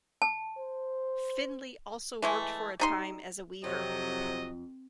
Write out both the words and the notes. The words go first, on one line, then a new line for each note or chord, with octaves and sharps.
Findley also worked for a time as a weaver.
A5
C5
E3 G#3 A3
G3 D#4 C6
F2 C3 F#3 D#5